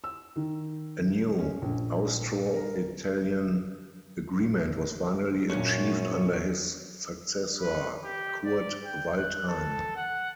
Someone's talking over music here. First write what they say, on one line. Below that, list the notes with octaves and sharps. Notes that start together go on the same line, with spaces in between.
A new Austro-Italian agreement was finally achieved under his successor Kurt Waldheim.
E6
D#3
C#4
A#1
A#4
F#2 A#2 C#4 D4
B4
G4
D5
G5
F#6
A4
F#5